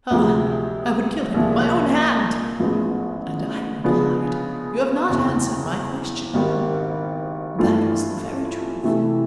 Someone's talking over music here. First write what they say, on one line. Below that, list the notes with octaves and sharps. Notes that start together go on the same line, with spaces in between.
'Ah, I would kill him with my own hand!' And I replied, 'You have not answered my question.' That was the very truth.
D2 C3 F3 G#3
C2 A#2 F3 G#3
A1 G#2 F3 G#3 B3
C#3 F3 G#3 B3 D4
F#1 E2 C#3
G#1 G#2 D#3 G3
G2 E3 A3 D4 F4
C3 E3 A3